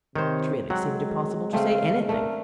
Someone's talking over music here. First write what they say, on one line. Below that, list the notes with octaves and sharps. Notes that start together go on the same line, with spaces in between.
It really seemed impossible to say anything!
C3 D#3 C5 C#5
F#3 G#3 C4 F#5
C#3 A3 C4 F5
A3 D4 A#4